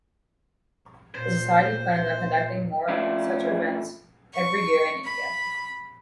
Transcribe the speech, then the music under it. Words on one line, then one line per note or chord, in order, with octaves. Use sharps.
The society plans on conducting more such events every year in India.
A#2 C5
F3 A3 C#4 D4 E4 F4
C#6
B5